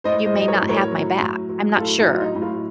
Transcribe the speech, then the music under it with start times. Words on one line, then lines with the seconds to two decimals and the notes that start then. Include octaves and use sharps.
you may not have my back. I'm not sure."
0.04 A2 C5 D#5
0.26 C5 D#5
0.33 F#3
0.39 D#5
0.48 A#4 C#5
0.62 A2
0.69 A#4 C#5
0.91 F#3
1.20 A2
1.49 F#3
1.77 A2 F4 A4
1.98 D#4 F#4
2.07 F#3
2.14 F4
2.21 D#4
2.35 A2
2.42 F4